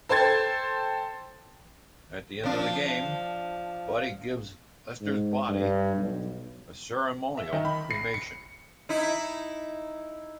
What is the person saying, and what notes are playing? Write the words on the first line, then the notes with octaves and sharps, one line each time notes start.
At the end of the game, Buddy gives Lester's body a ceremonial cremation.
A4 C5 G5 C6 G#6 A6
F3 D4
G#2
G2
B1
E5
D#3
B5
C7
C#7
D#4 E4